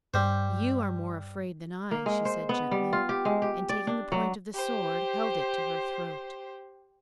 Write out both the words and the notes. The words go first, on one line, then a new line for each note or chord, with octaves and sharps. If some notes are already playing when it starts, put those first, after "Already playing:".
'You are more afraid than I,' she said gently, and taking the point of the sword held it to her throat.
G2 G3 C5
A#3
G#3
C5
B3
G3
F4
G4
G#3
G4
D5
D4
F#3
G4 C5